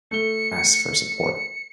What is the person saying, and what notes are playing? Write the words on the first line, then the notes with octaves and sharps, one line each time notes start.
ask for support."
A3 C#7 G7